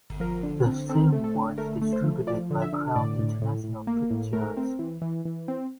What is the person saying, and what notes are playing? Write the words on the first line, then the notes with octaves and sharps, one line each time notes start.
The film was distributed by Crown International Pictures.
F3 A#4
D3
C4
C4 A4
A3
A4
D3
A3 A#4
A3
C5
F3
F3 D5
D3
E5
D3
A2 D5
A2
A2
A2
A#3
A2
A3 A#4
C4
E3
E3
E3
C4